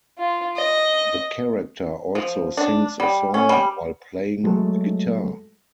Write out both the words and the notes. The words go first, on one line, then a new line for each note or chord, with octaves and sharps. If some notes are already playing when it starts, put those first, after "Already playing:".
The character also sings a song while playing the guitar.
F4
D#5
F3
D4
G3
C#4
G3
F#3 G#3 A3 A4